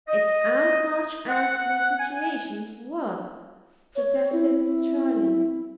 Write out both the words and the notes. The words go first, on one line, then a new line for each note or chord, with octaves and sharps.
"It's as much as my situation's worth," protested Charlie.
D#5
F#5
G#5
C#5
C4 E4